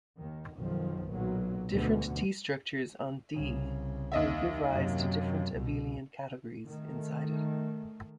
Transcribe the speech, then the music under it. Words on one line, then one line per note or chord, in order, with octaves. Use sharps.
Different t-structures on "D" will give rise to different abelian categories inside it.
D#2 D#3
B1 F#2 D#3 F3
B1 A#2 F#3
D2 B2 D3
C2 C#3
D#2 D#5 E5
F#2 C3
C2 B2
D#3 A3